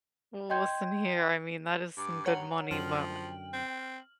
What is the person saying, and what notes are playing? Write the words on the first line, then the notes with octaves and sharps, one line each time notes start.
Well, listen here, I mean, that is some good money, but
D#5 G5 C6 G6 G#6
G2 D6
C#5 F#5 A#5
F#2 D3 F3 G5 F6 F#7
C4